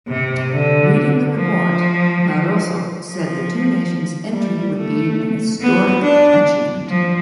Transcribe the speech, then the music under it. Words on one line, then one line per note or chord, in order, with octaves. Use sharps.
Reading the report, Barroso said the two nations' entry would be a "historic achievement".
C3
D3
F3
F3
G3
A3
B3
D4
F3